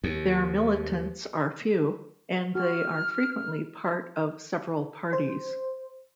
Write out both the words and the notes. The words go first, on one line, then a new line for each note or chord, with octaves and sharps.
Their militants are few, and they are frequently part of several parties.
D#2
F#4 F6
C5